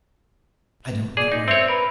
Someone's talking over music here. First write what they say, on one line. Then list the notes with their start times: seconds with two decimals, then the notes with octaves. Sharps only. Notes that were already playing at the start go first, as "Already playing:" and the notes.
I don't know her!'
1.17 G#4 D5
1.32 D#4
1.48 C4 C#5 E5
1.68 A#4 B4